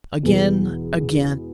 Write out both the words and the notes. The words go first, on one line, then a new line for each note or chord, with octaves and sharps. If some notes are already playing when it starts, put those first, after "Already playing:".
Again! again!
E2 B2 G#3 B3